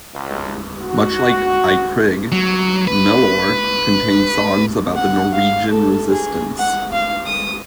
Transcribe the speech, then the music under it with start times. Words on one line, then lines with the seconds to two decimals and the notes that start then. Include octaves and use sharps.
Much like I Krig, Milorg contains songs about the Norwegian resistance.
0.14 C#2
0.82 F#4
2.32 F#3
2.87 B4
4.95 F#5
5.33 F5
5.71 A4
6.09 G#4
6.58 F#5
6.92 F5
7.26 D#6